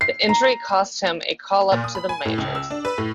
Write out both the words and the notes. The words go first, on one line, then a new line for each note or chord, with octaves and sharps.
The injury cost him a call-up to the majors.
C7
A#5
A#2
D#6
B5
G#5
A2
C#2
E6
D4
B4
A2